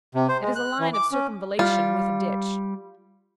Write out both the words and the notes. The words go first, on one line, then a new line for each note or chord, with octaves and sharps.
It is a line of circumvallation with a ditch.
C3
C5
G#3
F#6
E3
D6
C#4
G3 F4